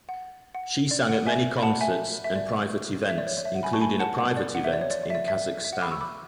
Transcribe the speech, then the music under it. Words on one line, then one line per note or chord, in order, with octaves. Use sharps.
She sang at many concerts and private events, including a private event in Kazakhstan.
F#5
F#5
D5
F#5
E5 G#5
B5
F#5 A5
E5 G#5
E5
D5
E5
D5
C#5
D5
E5
F#5
G#5 B5
A5 C#6
G#5 B5
F#5 A5
F#5
D5
F#5
E5
D5
C#5
D5
D5
E5
D5
E5
E5
F#5
B5 D6
C#6 E6
B5 D6